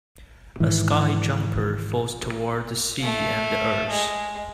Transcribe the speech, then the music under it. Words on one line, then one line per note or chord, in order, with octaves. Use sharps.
A sky jumper falls toward the sea and the earth.
G#2 D#3 E3
A3 F5
G#3